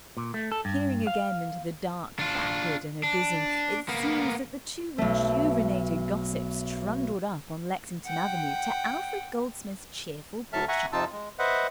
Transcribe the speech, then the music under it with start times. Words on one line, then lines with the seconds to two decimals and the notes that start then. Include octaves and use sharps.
Peering again into the dark backward and abysm, it seems that the two rejuvenated gossips trundled up on Lexington Avenue to Alfred Goldsmith's cheerful bookshop.
0.17 A#2
0.34 A3
0.52 A4
0.65 G2
1.07 F5
2.19 D4 F4
3.03 D4
3.89 A#3 B3
4.98 B1 A3
8.07 F#5 G5
10.53 D2 F#3 A4 E5 A5 F6
10.68 E5 F#5 G#5 A#5 C#6
10.93 F2 C3 D#4 F4 A5 E6
11.12 G#3
11.39 B4 C5 D#5 E5 F#5